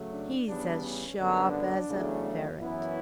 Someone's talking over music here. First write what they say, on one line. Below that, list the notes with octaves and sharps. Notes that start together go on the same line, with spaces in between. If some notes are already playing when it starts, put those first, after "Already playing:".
He's as sharp as a ferret.'
Already playing: C#3 F#3 A3
D4
E2 C#3 G3 B3 D4
C#4
F#2 D3 G3 B3 D4
E2 C#3 F#3 A3
F#2 E3 B3 C#4 E4